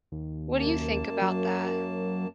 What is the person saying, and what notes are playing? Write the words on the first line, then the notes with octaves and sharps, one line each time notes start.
What do you think about that?
D#2
F#2 A#3 A5
F#3